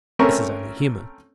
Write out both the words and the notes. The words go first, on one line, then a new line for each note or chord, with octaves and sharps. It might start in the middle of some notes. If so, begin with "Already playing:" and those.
This is only human.
A3 C4 C#4 A#4 C#6